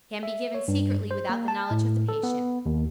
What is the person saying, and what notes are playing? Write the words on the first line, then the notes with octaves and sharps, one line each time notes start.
Can be given Secretly without the knowledge of the patient.
E5
C#5
G2
C5
A#3
A5
A2
A4
B3
D#2